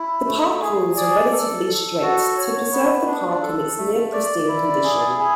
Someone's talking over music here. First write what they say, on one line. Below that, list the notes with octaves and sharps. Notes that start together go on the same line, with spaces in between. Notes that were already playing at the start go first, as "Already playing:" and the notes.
The park rules are relatively strict, to preserve the park in its near-pristine condition.
Already playing: E4
A3
G#4
D5
A4
A4
F#4
C#5
B3
D4
A4
A3
D5
E4
G#4
G#4